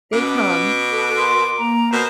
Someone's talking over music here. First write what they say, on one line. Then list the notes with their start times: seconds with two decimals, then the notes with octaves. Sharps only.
they come,
0.13 B2 C#4 D6
0.90 A4
1.17 A#4 C6
1.58 A#3 A#5
1.92 B2 B3 A#4 C5